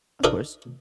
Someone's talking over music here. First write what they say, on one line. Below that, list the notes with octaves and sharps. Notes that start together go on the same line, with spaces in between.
Of course.
D4 D#4 A4 A#4 D#5